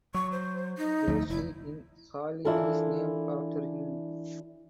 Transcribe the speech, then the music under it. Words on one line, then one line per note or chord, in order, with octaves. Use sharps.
A street in Halle is named after him.
F#3 C#6
C5
D#4
D2 F3 A3
F1 E4
E3 D4 E4 F4 A4 A#4